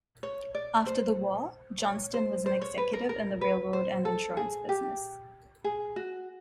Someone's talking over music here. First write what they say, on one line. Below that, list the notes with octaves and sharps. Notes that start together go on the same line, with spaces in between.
After the war, Johnston was an executive in the railroad and insurance businesses.
C#5
D5
C5
C#5
C5
C5
C#5
B4
A#4
A#4
B4
C5
A4
G#4
G4
G#4
F#4